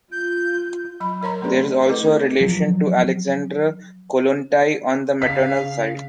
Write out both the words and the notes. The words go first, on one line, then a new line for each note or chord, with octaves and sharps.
There is also a relation to Alexandra Kollontai on the maternal side.
F4 G6
F#3 B5
F#3 A#4 C#5 A#5 C6
A3 C#4 D4 G#4 B4 D5
A3 E4 A4 B4 D#5
C4 D4 A#4
F3 F#3
C#3 F5 B6